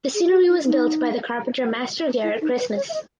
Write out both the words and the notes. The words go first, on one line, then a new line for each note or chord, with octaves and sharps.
The scenery was built by the carpenter Master Garret Christmas.
G#4
G4
E4
D#4
E4
D#4
B4
C#5
E5
D#5